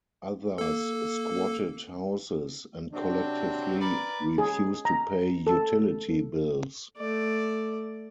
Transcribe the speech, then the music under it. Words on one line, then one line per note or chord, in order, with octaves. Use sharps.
Others squatted houses and collectively refused to pay utility bills.
A#3 A4
C3 F#3 C4 D4
A#4 B4 D5
G#4
A#5
A4
A3 D5